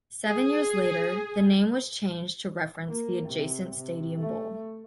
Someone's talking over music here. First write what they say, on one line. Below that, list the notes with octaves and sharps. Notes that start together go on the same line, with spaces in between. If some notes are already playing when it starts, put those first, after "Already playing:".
Seven years later, the name was changed to reference the adjacent Stadium Bowl.
G#4
A#3
C3
C3
A3